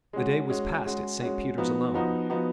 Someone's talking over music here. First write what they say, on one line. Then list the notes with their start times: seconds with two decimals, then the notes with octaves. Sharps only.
The day was passed at Saint Peter's alone.
0.13 G#3 C#4 F#4
0.50 G#3 C#4 F#4
0.86 G#3 C#4 F#4
1.22 G#3 C#4 F#4
1.58 F3 B3 D#4 F#4
1.94 F3 B3 D#4 F#4
2.30 F3 B3 D#4 F#4